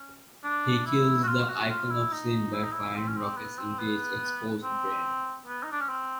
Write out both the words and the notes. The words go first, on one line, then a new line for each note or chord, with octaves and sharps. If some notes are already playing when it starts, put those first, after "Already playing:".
He kills the Icon of Sin by firing rockets into its exposed brain.
Already playing: C#4
D4
E4
F#4
F4
F#4
F4
E4
D#4
E4
D#4
E4
C4
C#4
C4
B3
C4
B3
C4
B3
D#4
D4
C#4
C4